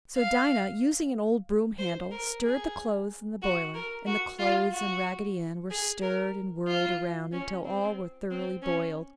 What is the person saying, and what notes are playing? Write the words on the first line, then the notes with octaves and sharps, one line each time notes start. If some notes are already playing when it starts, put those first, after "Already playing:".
So Dinah, using an old broom handle, stirred the clothes in the boiler and the clothes and Raggedy Ann were stirred and whirled around until all were thoroughly boiled.
F5
C5
A#4
G#4
F#4
A#4
F#4
F4
F#4
G#4
A#4
F4
C#4
C4
C4
C#4